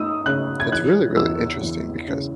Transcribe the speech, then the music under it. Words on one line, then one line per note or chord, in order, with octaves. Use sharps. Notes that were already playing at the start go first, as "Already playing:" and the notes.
it's really, really interesting because,
Already playing: D#4 D#6 E6
C#3 F#6
G#6
E3 F#6
E2 E6
E2
C#3